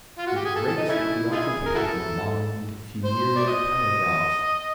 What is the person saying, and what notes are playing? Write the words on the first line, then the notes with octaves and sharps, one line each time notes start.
It breaks the preoccupation of the mind into funereal paragraphs.
F4
F#4
G4
G#4
A4
A4
D#4
A3 C#4 E4
D#4 F4 G#4
A#4
E4 F#4 A4
C5
D5
D#5